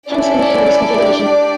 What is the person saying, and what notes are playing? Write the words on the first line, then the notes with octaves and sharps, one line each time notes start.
Hence the name of this configuration.
C#4 E4 A4 D5
D4 G4